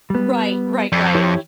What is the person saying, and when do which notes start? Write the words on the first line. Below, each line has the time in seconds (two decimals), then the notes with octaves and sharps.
Right, right, right.
0.10 G3 B3
0.92 F2 D5
1.15 E4 G4 C#5